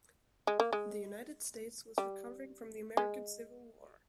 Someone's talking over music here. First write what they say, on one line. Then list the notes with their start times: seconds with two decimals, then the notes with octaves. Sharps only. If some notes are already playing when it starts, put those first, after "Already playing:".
The United States was recovering from the American Civil War.
0.47 G#3
0.60 A#3
0.73 G#3
1.98 G3
2.97 G#3